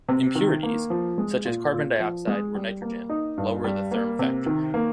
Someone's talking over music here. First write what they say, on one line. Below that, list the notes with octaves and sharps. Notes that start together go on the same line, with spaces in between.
Impurities, such as carbon dioxide or nitrogen, lower the therm factor.
C3
D#3
A#3
F3
G#3
A#2
A#2
F3
G#3
G3
A#3
D#4
G2
G3
A#3
C3
D#3
A#3